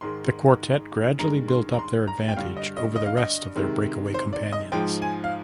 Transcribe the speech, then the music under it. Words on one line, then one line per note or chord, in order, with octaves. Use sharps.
The quartet gradually built up their advantage over the rest of their breakaway companions.
G#2 D#3 G#3 C6
G2 D#3 G#3 A#5
C6
A#5
C6
A#5
G5
G2 D3 G3 F5
D#5
D#5
D#5
F5
D#5
C3 D#3 G#3
C5
D5
D#5
G#2 F3 G#3 G5
G#5
F5